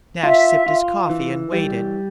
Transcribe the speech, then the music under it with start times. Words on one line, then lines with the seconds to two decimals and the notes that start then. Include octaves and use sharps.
Nash sipped his coffee and waited.
0.23 F4 E5
0.66 F4
1.10 E3
1.52 G3